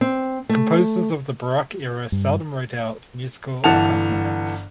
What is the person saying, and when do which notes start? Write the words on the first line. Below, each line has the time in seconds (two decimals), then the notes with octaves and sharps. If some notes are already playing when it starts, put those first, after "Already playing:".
Composers of the Baroque era seldom wrote out musical accompaniments.
0.01 C4
0.49 A3
2.12 G2
3.64 G1 E3 F#5 A5 F7